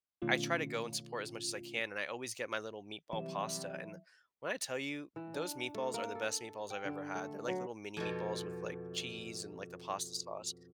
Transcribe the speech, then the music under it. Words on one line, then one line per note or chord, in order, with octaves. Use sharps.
I try to go and support as much as I can, and I always get my little meatball pasta. And, uh, when I tell you, those meatballs are the best meatballs I've ever had. They're like little mini meatballs with, like, cheese and, like, the pasta sauce.
B2 D#3 A3 C#4 F4
C3 E3 F#3 G3 E5
E3
D4
A3
A#3
A4
G5
D3
A3
F#3
F2 B2